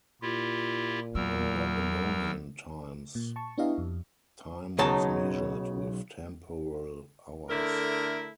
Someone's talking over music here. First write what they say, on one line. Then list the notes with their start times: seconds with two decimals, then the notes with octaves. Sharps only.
In Babylonian times, time was measured with temporal hours.
0.22 A#2 E4 F4 G4
1.15 E2 F#3 A#4 E6
3.15 A#2
3.36 A5 C#6
3.58 B3 D4 E4 G4 D#5 F5
3.78 F2
4.78 B1 C#3 F#3 D#4 A5
7.49 D3 A3 E4 A#4